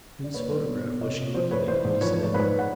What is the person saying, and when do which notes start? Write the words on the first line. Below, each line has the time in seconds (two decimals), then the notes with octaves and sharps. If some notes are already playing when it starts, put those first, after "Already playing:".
"Whose photograph was she looking at?" he said.
0.24 D5
0.34 A#2 B4 C#5
0.51 G3
0.68 B2
0.85 B2
1.01 C3 C#5 D#5
1.18 C3
1.34 F3 C5 D5
1.51 A3 B4 C#5
1.68 E3 C5 D5
1.84 G#2
2.01 F3 B4 C#5
2.18 A3 D5
2.34 G#2 B4 C#5
2.59 F#5